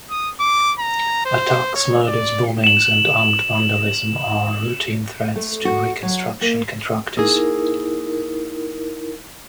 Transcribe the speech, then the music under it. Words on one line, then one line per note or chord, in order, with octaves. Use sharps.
Attacks, murders, bombings and armed vandalism are routine threats to reconstruction contractors.
D#6
D6
A#5
C5
C#5
D5
E7 F#7
A3
F#4
F#3
A#3
A#3 D#4 E4 G#4 A#4